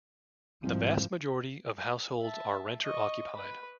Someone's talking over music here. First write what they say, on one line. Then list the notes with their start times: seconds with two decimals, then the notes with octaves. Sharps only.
The vast majority of households are renter occupied.
0.63 C2 G#2 F3
2.21 E5 A5
2.84 D#5 C#6
3.34 B4 B5